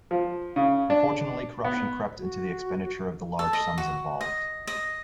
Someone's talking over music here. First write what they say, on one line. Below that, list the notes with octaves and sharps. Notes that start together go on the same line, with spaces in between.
Unfortunately corruption crept into the expenditure of the large sums involved.
F3
C#3
D4
B3
F#4
A4
D#5
F#4
D#5
D#5